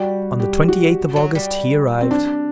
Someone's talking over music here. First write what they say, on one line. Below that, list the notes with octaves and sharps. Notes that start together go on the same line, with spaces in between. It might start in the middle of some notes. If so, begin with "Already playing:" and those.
On the twenty-eighth of August he arrived.
Already playing: G3 F#4
G4
F#4
F#3
G3
C4
D4